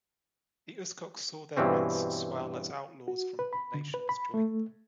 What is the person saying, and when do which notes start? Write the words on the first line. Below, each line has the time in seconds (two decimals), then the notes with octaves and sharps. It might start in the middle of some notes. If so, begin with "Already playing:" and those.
The uskoks saw their ranks swell as outlaws from all nations joined them.
1.57 G2 B2 E3 C4 C#4
3.08 F#4
3.39 B4
3.53 B5
3.74 D3
3.94 B4
4.09 B5
4.34 A3